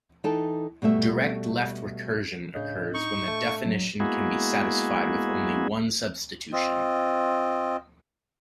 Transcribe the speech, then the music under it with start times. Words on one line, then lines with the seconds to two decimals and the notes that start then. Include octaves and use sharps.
Direct left recursion occurs when the definition can be satisfied with only one substitution.
0.24 E3 D#4 A4 G5 A5
0.82 B2 G3 A3 E5
2.55 A2 C#3 D4 D#5 G6
2.94 D#4 C#6
3.27 A3
3.65 F#3
4.00 G#3 A#3 B3 E4 F#4 G#4
6.53 C4 F4 D#5